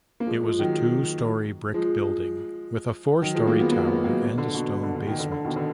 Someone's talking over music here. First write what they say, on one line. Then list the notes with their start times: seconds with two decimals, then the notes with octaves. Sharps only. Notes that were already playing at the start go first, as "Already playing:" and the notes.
It was a two-story brick building with a four-story tower and a stone basement.
0.20 A#3
0.27 F3 G#3
0.43 F3 G#3
0.59 D#3 F#3
1.74 F3 G#3
3.22 D#3 F#3
3.35 F3 G#3
3.47 F#3 A#3
3.59 G#3 B3
3.71 F#3 A#3
3.88 G#3 B3
4.04 F#3 A#3
4.21 B2
4.38 D3
4.54 B2
4.83 D3
4.95 D3
5.07 B2 D#3
5.19 D3
5.31 D3
5.44 B2 D#3
5.56 D3